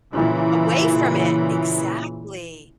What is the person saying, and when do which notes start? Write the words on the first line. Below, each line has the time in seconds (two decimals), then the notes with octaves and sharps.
away from it, exactly.
0.13 A#2 C#3 E3